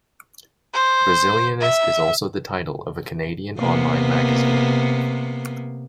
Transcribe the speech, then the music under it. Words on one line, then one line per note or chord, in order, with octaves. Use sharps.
Brazilianist is also the title of a Canadian online magazine.
C5
E5
C3 A#3 B3